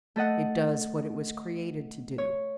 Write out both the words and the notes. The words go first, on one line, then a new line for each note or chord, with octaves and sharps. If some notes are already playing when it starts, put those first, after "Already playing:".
It does what it was created to do.
A3 A4 D#5 F#5
C#5